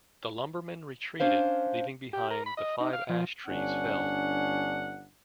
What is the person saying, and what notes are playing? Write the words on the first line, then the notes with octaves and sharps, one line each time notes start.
The lumbermen retreated leaving behind the five ash trees felled.
C#4 D4 C5 F5
G4
A#4
B5
D#5
D#4
F5
F3
G1 C#4 D4 F#5